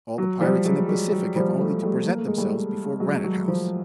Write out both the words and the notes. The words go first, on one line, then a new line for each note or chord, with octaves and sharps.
All the pirates in the Pacific have only to present themselves before Granite House!
F#3
F3 G3
F#3 G#3
F#3 G#3
F#3
F3 G3
G3 A3
G3 A3
A#3
A3
G#3
G3 A3
F#3 G#3
F#3
F3